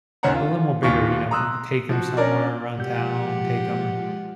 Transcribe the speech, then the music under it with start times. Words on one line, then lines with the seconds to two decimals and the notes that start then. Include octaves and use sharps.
a little more bigger. You know, I would take 'em somewhere around town, take 'em
0.23 A#1 D#2 C#4 C5 F#5 A#5
0.34 F4
0.83 D#1 D#2 A#2 F4 C#6
1.31 A#5 C6 D#6 E6 F#6
1.89 F3 F#4
2.17 C#4 D4 A#4 D5
2.79 B2 F3 G#3 F4 G4 F#5 G6